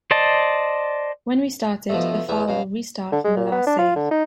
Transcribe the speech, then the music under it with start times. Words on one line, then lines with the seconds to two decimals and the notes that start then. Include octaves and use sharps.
When restarted, the file will restart from the last save.
0.11 C5 D5 D#5 A5
1.89 G2 B2 F3 A3
2.28 E2 E3 E5
2.48 F#2 B2 F5
3.12 D3
3.24 G#3
3.36 A#2
3.52 B3
3.67 D4
3.79 F4
3.96 D3
4.11 D#4